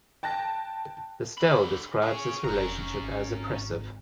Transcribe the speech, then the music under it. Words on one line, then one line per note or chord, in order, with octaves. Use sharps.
The stele describes this relationship as oppressive.
G5 A5 F#6 A#6
D3 B5
C#4 G#4
F1 C#4 A#5
G#1